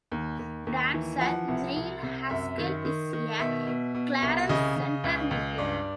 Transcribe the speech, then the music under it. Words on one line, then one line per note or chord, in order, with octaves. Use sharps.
Dancer Neil Haskell is a Clarence Center native.
D#2
D#2
D#2
E3
F3 F#5
C2
C2
C3
F#2 E5
D#3
D#3
D#3
B2 E5
B2
B2
C2
C#3 D#5
C#3
C#2
C#2
G2 D5